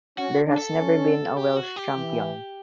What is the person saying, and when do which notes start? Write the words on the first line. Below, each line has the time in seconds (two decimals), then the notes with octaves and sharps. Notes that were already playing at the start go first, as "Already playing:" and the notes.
There has never been a Welsh champion.
0.18 C#4 F#4
0.47 D4
0.58 A4
0.78 C#4
1.37 G4
1.57 F#4
1.76 G4
1.96 E3